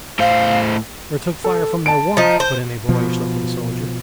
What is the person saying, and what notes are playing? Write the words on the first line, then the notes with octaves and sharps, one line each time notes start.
"Or took fire from their warmth," put in a boyish looking soldier.
A2 C5 F5
A4
A5 D7
F3 D#4
C5
B2 F3